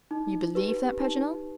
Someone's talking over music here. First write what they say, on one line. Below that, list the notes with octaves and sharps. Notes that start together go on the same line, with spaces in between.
"You believe that, Paganel?"
D#4
G4 B4
D#4